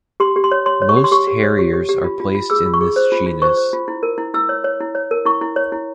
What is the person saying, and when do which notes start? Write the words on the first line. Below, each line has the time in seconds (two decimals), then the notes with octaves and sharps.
Most harriers are placed in this genus.
0.20 G4 C6
0.36 G4
0.44 C6
0.52 C#5
0.66 C#5 C6
0.82 C#5
0.89 C#6
0.96 G4
1.04 C6
1.12 G4 C#6
1.27 G4
1.43 C#5
1.59 G4
1.73 G4
1.89 G4
2.04 F4
2.20 F4
2.35 F4
2.50 G#4 E6
2.66 F4
2.74 C#6
2.81 G#4
2.96 C5
3.12 F4
3.26 F4
3.42 C5 C#6
3.57 C5
3.73 F4
3.88 E4
4.03 A#4
4.18 E4
4.34 E4 E6
4.49 C#5
4.64 C#5
4.80 E4
4.95 C#5
5.11 A#4
5.25 E4 C#6
5.41 E4
5.56 C#5
5.72 E4